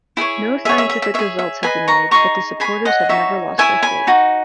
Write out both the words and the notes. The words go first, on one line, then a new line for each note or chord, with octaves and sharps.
No scientific results have been made, but the supporters have never lost their faith.
E4 G#4 C#5
G#4 C#5 E5
E5
E5
E5
G#4 C#5 E5
E5
G#4 B4 D#5 G#5 B5
A#5 C#6
D#4 G#4 D#5 A#5 C#6
G#4 C#5 G#5 B5
D#5 F#5
D#4 F#4 C#5 E5
E4 G#4 C#5 E5 G#5
G#5 B5
D#4 F#4